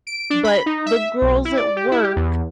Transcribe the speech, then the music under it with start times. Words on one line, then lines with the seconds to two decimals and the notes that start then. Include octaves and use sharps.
But the girls at work
0.07 D7
0.30 D4
0.44 B5
0.66 D#4
0.86 E5
1.22 B1
1.45 E4
1.57 D5
1.76 G4
1.91 E4
2.04 G4
2.16 E2